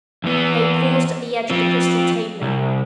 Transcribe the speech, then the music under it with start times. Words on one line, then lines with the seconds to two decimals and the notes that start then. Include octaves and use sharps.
They paused at the edge of the crystal tabling.
0.24 E2 B3
1.50 F3 C4
2.42 C2